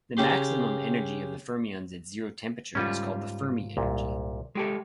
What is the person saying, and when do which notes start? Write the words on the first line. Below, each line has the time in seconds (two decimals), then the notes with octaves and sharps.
The maximum energy of the fermions at zero temperature is called the Fermi energy.
0.17 C#3 C#4 G4 C6
2.75 G#2 G3 C#4 F4
3.77 C2 A#2
4.55 G#3 G4 A4